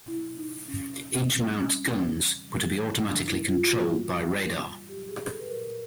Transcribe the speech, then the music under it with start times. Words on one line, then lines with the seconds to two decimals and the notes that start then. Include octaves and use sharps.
Each mount's guns were to be automatically controlled by radar.
0.07 B2 F#3 E4
0.37 D#4
0.67 E2 C#3 F#3 C#4
1.27 E2 B2 G3 C4
1.58 C#4
1.88 E2 C#3 E3
2.48 A2 E3 G3
3.08 F#2 D3 F3 D4
3.28 E4
3.49 F4
3.68 G#2 E3 G3 F#4
4.29 G#2 E3 G3
4.89 A2 F#3 G4
5.09 G#4
5.28 A4
5.40 B4
5.48 A#2 F#3 A#4